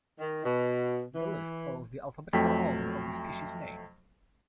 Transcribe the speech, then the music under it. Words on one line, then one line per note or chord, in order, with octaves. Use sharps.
The list follows the alphabetical order of the species name.
D#3
B2
E3
F2 F#3 A3 G5 B6